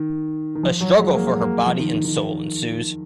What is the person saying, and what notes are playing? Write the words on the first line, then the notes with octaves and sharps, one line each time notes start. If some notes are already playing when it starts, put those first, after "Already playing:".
A struggle for her body and soul ensues.
Already playing: D#3
D#3
F3
F#3
G#3
A#3
A#3
F3
D#3
D#3
D#3